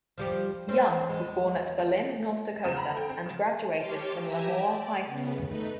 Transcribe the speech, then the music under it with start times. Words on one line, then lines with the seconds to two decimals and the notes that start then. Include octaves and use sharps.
Young was born at Berlin, North Dakota, and graduated from LaMoure High School.
0.18 F3 G3 G4
0.68 C4 C#4 C5
1.09 E2 G#3
2.64 E2 C#3 C4 E7
2.77 A#5 B5
2.95 A4 G5
3.10 C4
3.26 C#3
3.77 G4 C#5 A5 C6 D6 F6
4.18 G4 E5 G5 G#5 A#5 E6
4.58 D5
5.05 C#3 B3
5.44 A3 D#4 B4